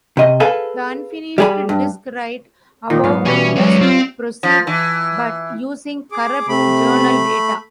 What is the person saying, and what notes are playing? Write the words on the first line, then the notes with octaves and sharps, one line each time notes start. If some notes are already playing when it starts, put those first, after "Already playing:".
The unfinished disk write above will thus proceed, but using corrupt journal data.
C3 D#5
G#4 A4 B4 F5 G#5
G3 G#4 B5
G2
A#2 D#3 D#4
G#2 F#3 B3 F5
B2 E3 G3 C#4
F#3 G#3 C#4
C4 F4
F3
E3
G#4 D6
C3 A3 B5